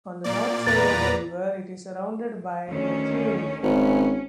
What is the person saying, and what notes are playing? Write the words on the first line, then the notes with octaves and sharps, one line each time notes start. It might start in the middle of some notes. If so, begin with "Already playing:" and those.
On the north side of the river, it is surrounded by Methuen.
A#2 A#3 D5
E2 B4 A#5 A6
D2 D#3 C#4
G#1 C#4